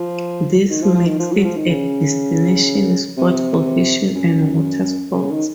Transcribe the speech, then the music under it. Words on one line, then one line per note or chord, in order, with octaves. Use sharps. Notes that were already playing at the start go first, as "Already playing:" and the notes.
This makes it a destination spot for fishing and water sports.
Already playing: F3
D#3
F3
F3
D#3
F3
F#3
F3
D#3
C#3
C3
F#2
C#3
D#3